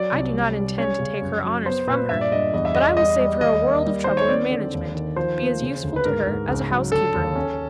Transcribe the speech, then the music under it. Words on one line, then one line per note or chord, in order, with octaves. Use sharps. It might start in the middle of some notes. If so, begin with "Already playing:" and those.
I do not intend to take her honors from her; but I will save her a world of trouble in management--be as useful to her as a housekeeper.
Already playing: F#3 D5
C2
G3
G3
C#4 C#5
C#3
F#2
F#3
B3 C5
A#2 B4
G2 E5
D5
G2 D#5
E2 D#5
E5
E2 D#5
G3 D#5
G3
D#2 D#5
A#3
G3
D#3 C5
C#5
C4 D5
D3
D#2
D#3
F3 C5
A#3
C#3
D2
B4
G#2 A#4
G#2
C#2
F#3
D3 A4
D#2
C#4